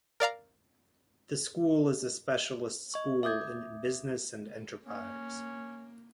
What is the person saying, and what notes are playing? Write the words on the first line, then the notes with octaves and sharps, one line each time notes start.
The school is a specialist school in Business and Enterprise.
A#4 D5 F5 A#5
D#5 C#6
E5 D6 D#6 G6 G#6
A#3 C#4